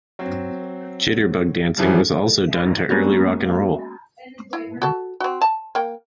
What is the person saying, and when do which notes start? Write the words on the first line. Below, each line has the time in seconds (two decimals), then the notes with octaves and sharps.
Jitterbug dancing was also done to early rock and roll.
0.19 F#3 C4
1.77 F#2 E3 F3 G3
2.89 G#3 A#3 B3 C#4 F#4
4.53 E4
4.82 F#4 A4
5.20 C4 F#4
5.41 A5
5.75 A#3 G5